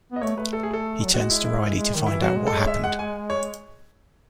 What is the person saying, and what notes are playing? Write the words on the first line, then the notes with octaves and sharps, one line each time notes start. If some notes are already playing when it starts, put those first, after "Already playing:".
He turns to Riley to find out what happened.
B3 D#5
A3 C#5
A3 B4
A4
G#4
A4
F#3
G#3 F#4
E4
E4
G#3
D#3
E3 E4
F#3 F#4
G#3
A4
C#5
E5
F#5
G#5
C#5